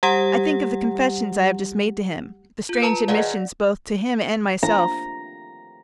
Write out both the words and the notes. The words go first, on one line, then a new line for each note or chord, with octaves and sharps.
I think of the confessions I have just made to him, the strange admissions both to him and myself.
G3 G4 F#5
F4 G6
B4 A5 A#5
D#3 F#3 G#3 D5 F5 F#5
A#5